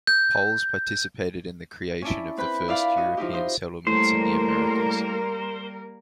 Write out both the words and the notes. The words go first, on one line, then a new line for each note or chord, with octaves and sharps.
Poles participated in the creation of first European settlements in the Americas.
G6
C#4 D4 E4
C4 B4 B5 G6
E4 D5 E5 F5 B5 D6
F#4 D#5
F3 D#4 E4 G4
D#4 C5
A2 G3 A#3 A#4 C5